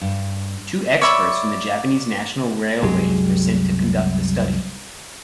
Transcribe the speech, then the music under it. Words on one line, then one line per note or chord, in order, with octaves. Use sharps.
Two experts from the Japanese National Railways were sent to conduct the study.
G2
C#5 D5 E5 B5
C2 F#2 F#3 G#3 G4 G#4